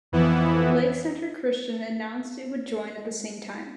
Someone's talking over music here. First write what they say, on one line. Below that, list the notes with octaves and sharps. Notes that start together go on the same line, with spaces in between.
Lake Center Christian announced it would join at the same time.
F2 E3 B3 E4